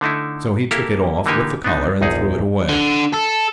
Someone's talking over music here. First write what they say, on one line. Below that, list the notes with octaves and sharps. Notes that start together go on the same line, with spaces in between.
So he took it off with the collar and threw it away.
D3 A3 D#4 E4
A#3 E4 G4 A4 F5
D3 E3 A#3 D#4 G4 G#5
B3 D4 D#4
A#1 E2 D#4 G#4
D3
A4